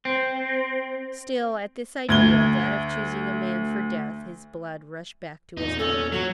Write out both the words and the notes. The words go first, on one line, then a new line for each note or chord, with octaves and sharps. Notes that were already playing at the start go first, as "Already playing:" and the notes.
Still, at this idea, that of choosing a man for death, his blood rushed back to his heart.
C4
D2 G#6 G7
E2 A#2 D#4
C#4 A4
F#3 C#5